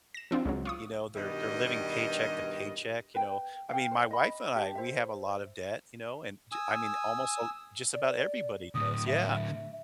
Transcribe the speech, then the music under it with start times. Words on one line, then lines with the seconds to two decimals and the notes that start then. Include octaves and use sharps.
you know, they're they're living paycheck to paycheck, you know. I mean, my wife and I, we have a lot of debt, you know, and j I mean, almost just about all everybody does, yeah.
0.14 A#6 E7
0.31 F3 C4 D4 F4
0.45 C#2 C#3 F#3
0.65 F4 C#6 D#6
1.15 G2 B2 D#3 G3 D#5
3.15 B4 G5
3.69 F5 G5
3.91 C5
4.11 D#5 B5
4.55 G4 A5
4.75 C5 E5
6.52 G#5 D#6 E6
7.94 D5
8.75 A2 D3 D#6
9.07 E5